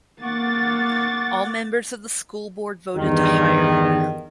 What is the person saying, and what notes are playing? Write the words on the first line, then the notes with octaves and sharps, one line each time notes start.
All members of the school board voted to hire her.
A#3 F#5 C#6 D6 A6
E2 G2 D#3